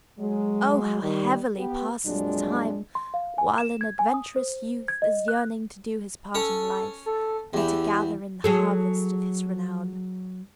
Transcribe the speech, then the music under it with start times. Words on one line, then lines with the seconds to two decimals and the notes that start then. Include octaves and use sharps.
Oh, how heavily passes the time, while an adventurous youth is yearning to do his part in life, and to gather in the harvest of his renown!
0.19 F#3 G#3
1.02 D#3 G3
1.57 B3 G4
2.05 F2 A#2 F#3 G#3 D4
2.95 C6
3.14 F5
3.38 G#5
3.58 E7
3.81 G#6
3.99 G#5
4.14 D#6
4.36 C5
4.88 G#6
5.02 D#5
5.28 F#6
6.35 C#4 A4 C#5
7.06 A4
7.53 E2 E3 G4
8.44 F#3 G#4 A4